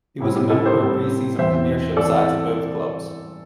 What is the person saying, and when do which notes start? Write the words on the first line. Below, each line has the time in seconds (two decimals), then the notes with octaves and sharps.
He was a member of preseason premiership sides at both clubs.
0.20 A2 G3 C4 E4
0.36 G4
0.50 E4 A4
0.65 G4 C5
0.80 A2 G3 C4
1.38 E2 E3 C4 C5 E5
1.97 E3 C4 A4 D5